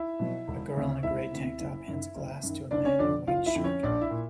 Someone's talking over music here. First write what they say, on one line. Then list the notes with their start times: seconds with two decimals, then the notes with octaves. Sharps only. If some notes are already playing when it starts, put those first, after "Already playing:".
A girl in a gray tank top hands a glass to a man in a white shirt.
Already playing: E4 E5
0.19 B2 F#3
0.48 E1
0.76 D2 C3
1.03 E1 E4 E5
1.31 D2 C3
1.60 F#1
1.88 F#2 D#3
2.16 F#1
2.43 F#2 D#3
2.71 F#1 D4 D5
2.85 C#4 C#5
2.99 F2 D3 F3 D4 D5
3.27 F#1 F4 F5
3.46 E4 E5
3.55 F2 D3 F3
3.64 C#4 C#5
3.83 A#1 D4 D5
4.01 E4 E5
4.11 A#2